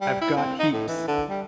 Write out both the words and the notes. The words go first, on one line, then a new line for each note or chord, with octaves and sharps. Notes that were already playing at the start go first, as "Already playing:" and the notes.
I've got heaps.
G3
E4
C4
D#4
A2
E3
D3
G3